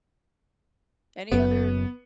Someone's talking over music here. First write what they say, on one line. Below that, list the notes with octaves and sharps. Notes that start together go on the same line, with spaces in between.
Any other
F#1 F#2 B3